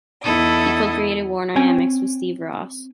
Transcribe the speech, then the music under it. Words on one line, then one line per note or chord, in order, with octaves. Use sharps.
He co-created Warner-Amex with Steve Ross.
E2 D#4 E4 A4 D#6
C4 C#4 C#5 G5 G#5